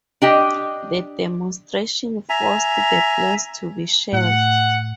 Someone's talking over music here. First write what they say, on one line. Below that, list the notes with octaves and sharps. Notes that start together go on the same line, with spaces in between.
The demonstrations forced the plans to be shelved.
D4 G4 D#5
E5 G#5 A#5
A2 F#5